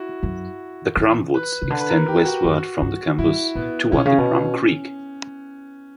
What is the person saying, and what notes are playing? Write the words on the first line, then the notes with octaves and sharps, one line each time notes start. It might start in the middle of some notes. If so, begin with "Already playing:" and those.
The Crum Woods extend westward from the campus, toward the Crum Creek.
Already playing: E4 F#4
F#2
E3
B4
C#3
D3 B4
B4
A#4
G4
F#4
F#2
G2
G2 E4
A#2 B3
B2 C#4
C#3
B2